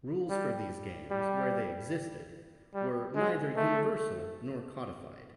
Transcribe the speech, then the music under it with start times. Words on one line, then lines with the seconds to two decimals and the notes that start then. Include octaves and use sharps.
Rules for these games, where they existed, were neither universal nor codified.
0.29 G3
1.11 G3
2.75 G3
3.16 G#3
3.56 A3